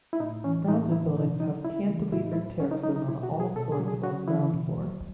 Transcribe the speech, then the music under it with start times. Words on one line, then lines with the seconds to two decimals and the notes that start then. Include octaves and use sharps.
Rounded buildings have Cantilevered terraces on all floors above ground floor.
0.13 E4
0.20 A2 D#4
0.44 E3 C#4
0.68 A2 D#4
0.92 E3 E4
1.16 B2 D#4
1.39 F#3 D#4
1.64 C#3 E4
1.89 E3
2.12 A2 E4
2.23 D#4
2.33 F#3 E4
2.60 C#3 C#4
2.71 D#4
2.84 F#3 D#4
2.96 D#4
3.08 B2 E4
3.23 F#4
3.31 F#3
3.40 G#4
3.56 B2 A4
3.72 G#4
3.80 F#3
3.88 G#4
4.03 C#3 F#4
4.27 E3 E4
4.52 B2
4.75 F#3